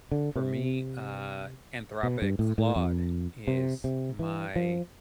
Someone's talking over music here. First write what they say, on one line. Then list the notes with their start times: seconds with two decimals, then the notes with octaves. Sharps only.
for me, uh, Anthropic Claude is my
0.12 D3
0.36 C3
2.03 B2
2.22 G2
2.39 A2
2.58 A2
2.76 F2
3.48 C3
3.84 C3
4.19 E3
4.56 F3